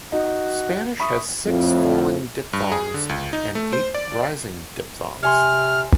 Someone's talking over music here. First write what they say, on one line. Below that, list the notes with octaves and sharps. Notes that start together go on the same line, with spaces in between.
Spanish has six falling diphthongs and eight rising diphthongs.
D#4 F#4
E5 B5 C#6 D#6
F2 A2
G2
G#4
D3
C#2
D#4
A3
C5
D5
C3 C#5 G#5 C6 F6